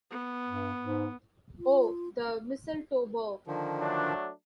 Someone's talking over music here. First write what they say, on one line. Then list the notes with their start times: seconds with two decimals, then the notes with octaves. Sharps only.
Oh, the mistletoe bough!
0.11 B3
0.48 G2
0.81 G#2
1.59 F4
3.47 D3 D#3 F3
3.80 F#3 A3 D4